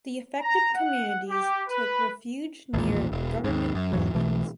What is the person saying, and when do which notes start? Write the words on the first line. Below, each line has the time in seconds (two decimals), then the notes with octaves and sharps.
The affected communities took refuge near government buildings.
0.40 A#5
0.75 F#5
1.30 G4
1.68 B4
2.74 A1 D#2 A#2
3.12 E1
3.44 D#2 G#2
3.75 F#2
3.93 E2 G#2 E3 F#3
4.14 B1 B2 E3 A3